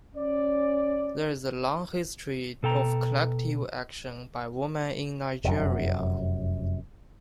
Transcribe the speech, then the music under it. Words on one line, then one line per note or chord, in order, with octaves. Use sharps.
There is a long history of collective action by women in Nigeria.
C#4 D5
B2 A4 G5 A#5
F1 F#2